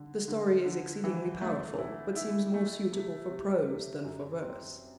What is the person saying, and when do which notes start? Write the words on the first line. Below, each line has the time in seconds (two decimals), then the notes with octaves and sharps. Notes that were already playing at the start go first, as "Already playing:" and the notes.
The story is exceedingly powerful, but seems more suitable for prose than for verse.
Already playing: D3
0.28 D3
0.65 D3
1.04 E3
1.41 A3
1.79 E4
2.16 E4
2.54 A3
2.91 C3
3.29 C3
3.66 C3
4.04 F#2
4.42 C4